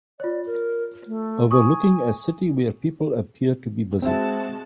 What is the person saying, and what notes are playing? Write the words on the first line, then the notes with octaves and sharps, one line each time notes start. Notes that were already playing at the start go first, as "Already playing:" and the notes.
Overlooking a city where people appear to be busy.
F4 C#5 D5
A#4
A3
G#5 C#6 D#6
G#3 C4 F#4 E5 A5